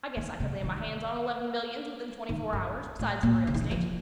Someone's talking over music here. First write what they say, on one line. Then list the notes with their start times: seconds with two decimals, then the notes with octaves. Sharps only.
I guess I could lay my hands on eleven millions within twenty-four hours, besides the real estate.
0.17 D#3
0.40 C3
0.64 D#3
2.29 D#3
2.53 G2
2.99 A2
3.23 A#2
3.47 D3
3.54 D#3
3.61 D3
3.71 F3